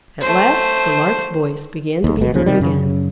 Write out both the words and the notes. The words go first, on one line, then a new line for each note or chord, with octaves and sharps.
At last the Lark's voice began to be heard again.
A3 C5
D#2
G1 B2
D1 D#2 C#3
C3 D#3 G3
F#2 C#3